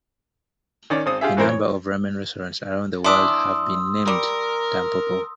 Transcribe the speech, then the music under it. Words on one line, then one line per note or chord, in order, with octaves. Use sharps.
A number of ramen restaurants around the world have been named Tampopo.
D#3 C#4 D5
G#1 C4 D#6
F4 G4 G#4 E5
F#2 E3 C4 A#4 C5
C#5
E3 D4 C6 D#6 E6
G3 A#4